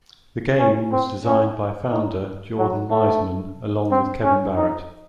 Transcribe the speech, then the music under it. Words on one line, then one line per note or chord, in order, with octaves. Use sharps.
The game was designed by founder Jordan Weisman along with Kevin Barrett.
C#4
C4
C#4
D#4
F#3
A3
C4
C#4
D#4